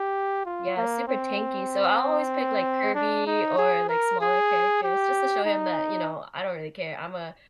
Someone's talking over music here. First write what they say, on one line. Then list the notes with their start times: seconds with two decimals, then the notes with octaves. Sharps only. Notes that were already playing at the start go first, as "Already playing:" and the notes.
Yeah, super tanky, so I'll always pick, like, Kirby or, like, smaller characters just to show him that, you know, I don't really care. I'm a
Already playing: G4
0.46 F4
0.77 A#3
1.08 C4
2.95 D4
3.27 D#4
3.58 G#4
3.89 A#4
4.21 G#4
4.84 G4
5.45 D#4